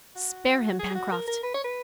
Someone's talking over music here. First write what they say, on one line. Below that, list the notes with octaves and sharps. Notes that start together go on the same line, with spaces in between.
"Spare him, Pencroft."
F#4
G#4
F#4
A#4
A#4
B4
C#5
B4